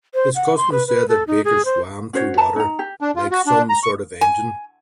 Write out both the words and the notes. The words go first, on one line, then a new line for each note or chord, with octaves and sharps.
His cousin said that Baker swam through water "like some sort of engine".
C5
F#5
C6
B4
B4
A4
D#4
G#4
C5
C#4 F#4 C5 C#5
B4 A5 A#5
D#4 A#5
G4
D4
F4
F#4
D4
A#5
C#6
G#5